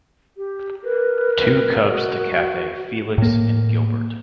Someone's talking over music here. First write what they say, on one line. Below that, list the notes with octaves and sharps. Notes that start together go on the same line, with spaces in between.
Two cubs to Cathay: Felix and Gilbert.
G4
A#4 B4
F#4
A2 A#3